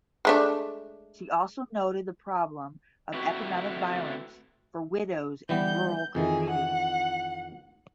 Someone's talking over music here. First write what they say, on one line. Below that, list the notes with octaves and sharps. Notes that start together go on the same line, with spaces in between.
She also noted the problem of economic violence for widows in rural communities.
G#3 A3 D4
A3 C4 E4 F#4 B4
E3 G3 B3 G6
F2 D#3 E3 G#4
F#5